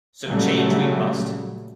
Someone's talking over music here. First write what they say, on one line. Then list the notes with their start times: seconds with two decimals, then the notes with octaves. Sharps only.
So change we must!
0.24 A#2 C#3 F#3 G3 A3